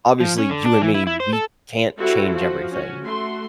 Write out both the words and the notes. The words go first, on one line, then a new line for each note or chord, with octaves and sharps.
Obviously, you and me, we can't change everything,
F3
C#4
D3
D4
E3
E4
E4
C5
A4
G3 C4 E4 F#4 A4
F3 F#4
C#4 F#4
A3 F#4 C6